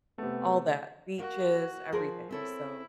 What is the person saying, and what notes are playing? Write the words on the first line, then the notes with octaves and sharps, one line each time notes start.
all that beaches, everything, so
C3 A3 B3
A#3 F#4
F3 G#4 A#4 C5
C4 E4 A4 C#5